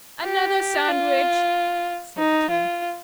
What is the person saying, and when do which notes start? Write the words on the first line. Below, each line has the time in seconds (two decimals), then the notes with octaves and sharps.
'Another sandwich!' said the King.
0.23 G4
0.88 F4
2.18 D#4
2.50 F4